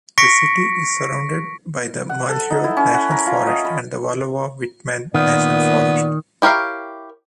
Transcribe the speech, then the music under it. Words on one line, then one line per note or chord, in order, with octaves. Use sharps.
The city is surrounded by the Malheur National Forest and Wallowa-Whitman National Forest.
C#6 A#6 B6 C#7 D7
F#5
A4
D#4
E4
C#4
F#5
A#4
F4
D#5
B5
A#2 D#3 B3 D5
E4 G4 A#4 C#5 F5